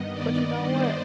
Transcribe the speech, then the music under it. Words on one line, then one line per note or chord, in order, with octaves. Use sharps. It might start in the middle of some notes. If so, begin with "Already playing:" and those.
But, you know what?
Already playing: G2 D#3 B3 D#5
D5
C5